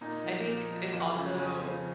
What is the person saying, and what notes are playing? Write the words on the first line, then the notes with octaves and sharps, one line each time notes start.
I think it's also
A#2 D#4
F3
A#2
F3
F2 F4
C#3 F3
F2 C#4
C#3 F3 C4